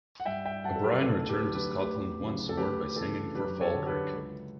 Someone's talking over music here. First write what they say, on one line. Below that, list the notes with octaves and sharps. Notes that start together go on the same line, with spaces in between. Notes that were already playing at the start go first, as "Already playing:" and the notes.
O'Brien returned to Scotland once more by signing for Falkirk.
F#5
G2 E5 G5
E5 G5
F#3 F#5 A5
A4
G4 B4
D2 A4
G4 B4
D3 F#3
G4 B4
D2 G4 B4
C#3 F#3
A4
D2 G4 B4
C#3 E3 A4
F#2 G4 B4
A4 C#5
D3 F#3
G4 B4
C#2